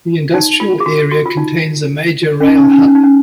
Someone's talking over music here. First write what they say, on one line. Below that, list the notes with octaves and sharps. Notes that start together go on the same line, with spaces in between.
The industrial area contains a major rail hub.
D#4
F4
G#4
F#4
F#4
F4
D#4
C#4
D#4
C#4
D#4
C#4
D#4
C#4
D#4
C#4